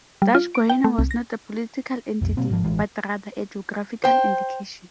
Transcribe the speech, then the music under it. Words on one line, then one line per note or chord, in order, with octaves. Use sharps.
Dutch Guiana was not a political entity, but rather a geographical indication.
G3
F4
D7
G5
A3
C2
A#6
B1 F2
B2 F#3 A#3 C4
G#1 G#2 F3
A1 E3 G#3
C5 G5